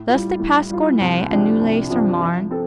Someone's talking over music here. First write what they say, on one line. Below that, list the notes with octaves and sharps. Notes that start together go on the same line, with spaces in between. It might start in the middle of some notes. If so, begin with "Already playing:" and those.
Thus they passed Gournay and Neuilly-sur-Marne.
Already playing: A2
F4
G3
A2
G3 F4
C2
C3 F3 D4 G4
C2
C3 F3 D4 G4
F3
C4 A4